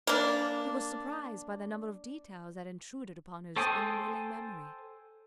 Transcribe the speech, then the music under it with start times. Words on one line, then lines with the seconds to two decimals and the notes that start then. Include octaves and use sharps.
He was surprised by the number of details that intruded upon his unwilling memory.
0.07 A#3 D4
3.56 A4 C5 G5 G#5 D#6